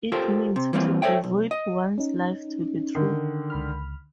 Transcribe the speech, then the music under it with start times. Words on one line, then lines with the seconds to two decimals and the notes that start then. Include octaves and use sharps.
It means, To devote one's life to the truth.
0.12 F4 G4 A4 A#4 C5
0.56 C3
0.73 E3 F3 G3 A#3 C4 F4
1.02 A4 C5 C#5 E5 G5
1.24 B1
1.51 D#5
1.98 C#4 D#4
2.95 D3 D#3
3.50 C#2 B5 F6